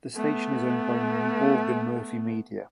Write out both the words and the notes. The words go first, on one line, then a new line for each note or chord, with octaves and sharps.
The station is owned by Morgan Murphy Media.
A3 B3